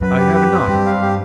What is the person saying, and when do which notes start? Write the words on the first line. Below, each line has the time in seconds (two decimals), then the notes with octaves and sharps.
"I have none."
0.01 F#2 F#3 B4
0.18 G4
0.35 B4
0.52 C4
0.68 G2 G3 G4
0.86 F5
1.02 G4